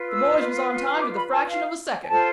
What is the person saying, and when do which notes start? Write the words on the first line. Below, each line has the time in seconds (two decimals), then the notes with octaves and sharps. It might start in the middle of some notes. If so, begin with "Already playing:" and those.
The boys was on time to the fraction of a second.
Already playing: F4 B4
0.09 E6
0.86 F6
1.01 D6
1.17 B5
1.33 A5
1.48 F5
2.04 G#5
2.09 F4 A4 C5 A5